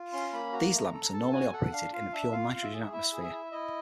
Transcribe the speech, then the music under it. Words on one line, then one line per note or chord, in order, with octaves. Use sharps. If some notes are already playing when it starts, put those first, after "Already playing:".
These lamps are normally operated in a pure nitrogen atmosphere.
Already playing: F4
C#4 C6
A#3 B5
F#4 A#5
A3
A4
A#5
A4 A5
F#4 G#5
A4 F#5
D4 F5
F4 F5
D4 E5
F4 F5
F4
E5
G#4
E4 E5
G#4
E5
E4
E4 D#5